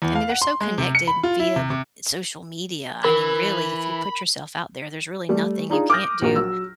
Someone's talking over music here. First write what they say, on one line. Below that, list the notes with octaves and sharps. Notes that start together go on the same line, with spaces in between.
I mean they're so connected via social media. I mean really if you put yourself out there, there's really nothing you can't do.
E2
F5
F#5
C6
G#3
C3
C#7
B5
F4
E4
C3
C3
E3 A#4 B5
G3 A3
D4 D#4 F4 G#4
D6 D#6 F6 G6 A#6
A#1 F#4 A#4
F#3 E6